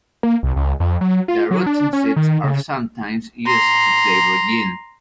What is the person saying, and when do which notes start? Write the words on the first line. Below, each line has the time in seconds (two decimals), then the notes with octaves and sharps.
The roots and seeds are sometimes used to flavor gin.
0.23 A#3
0.43 C2
0.56 C#2
0.80 F2
1.01 F#3
1.28 F4
1.51 F#3
1.66 D4
1.93 C#4
2.16 D#3
2.44 C#3
3.47 A#5 C6